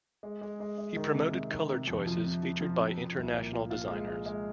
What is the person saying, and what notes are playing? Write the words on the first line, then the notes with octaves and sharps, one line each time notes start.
He promoted colour choices featured by international designers.
G#3
G#3
G#3
G#3
D#3
C3
C3
D#3
C3
F2
F3
C3
F3
F3
C4
F3
C2
A#2
F4
F4
G#3
G#3
G#3